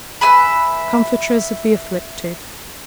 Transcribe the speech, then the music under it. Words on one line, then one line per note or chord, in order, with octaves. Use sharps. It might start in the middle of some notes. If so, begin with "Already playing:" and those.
Comfortress of the afflicted.
B4 E5 G#5 B5